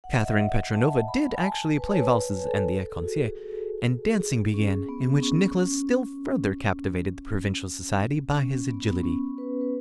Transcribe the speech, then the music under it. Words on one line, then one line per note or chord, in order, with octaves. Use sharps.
Catherine Petrovna did actually play valses and the ecossaise, and dancing began in which Nicholas still further captivated the provincial society by his agility.
F#5
E5
D#5
E5
F#5
A5
B5
G#5
A5
B4
C#5
B4
B4
A4
A4
G#4
F#4
G#4
G#4
C#4
B3
C#4
C#4
C#4
B3
B3
C#4
B4
B4